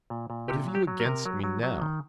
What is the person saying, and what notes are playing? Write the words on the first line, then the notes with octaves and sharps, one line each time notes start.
What have you against me now?
A#2
A#2
C3 G4
F#3
G4
F#3
A#4
C3
F#3
F#3
F#3
D#3